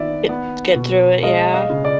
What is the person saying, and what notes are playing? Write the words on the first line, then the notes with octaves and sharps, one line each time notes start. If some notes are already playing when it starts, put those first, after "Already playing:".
Eh, get through it, yeah.
Already playing: D#3 B3 D5 E5
B3
B2
G#3 D#5 F5
D#5 F5
C#3
D5